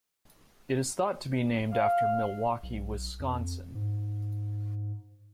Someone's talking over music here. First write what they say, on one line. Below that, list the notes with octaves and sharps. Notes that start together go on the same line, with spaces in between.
It is thought to be named after Milwaukee, Wisconsin.
F5
B1
F2
G#2